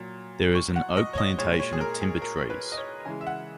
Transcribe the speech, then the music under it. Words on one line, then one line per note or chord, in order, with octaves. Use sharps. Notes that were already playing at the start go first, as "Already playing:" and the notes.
There is an oak plantation of timber trees.
Already playing: A#2 F#3
C#6
F#5
D#5
C#5
D#5
A#2 G#3 C#5
C#5
G#4
A#4
G#4
A#4
B4
D#5
C#5
C#3 E3 G#3 G#5
E5
F#5